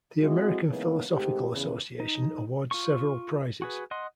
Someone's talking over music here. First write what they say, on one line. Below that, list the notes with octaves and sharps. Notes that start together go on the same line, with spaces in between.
The American Philosophical Association awards several prizes.
G#3 A3 C4 E4 F#4
C#3 E3 G#3 A#3 B3 D#4
G#2 D#3 A3 C4 G4
E2 C#3 B4
D#4
F4 C#6
F#4 G#4 B4
D#5 F#5 C6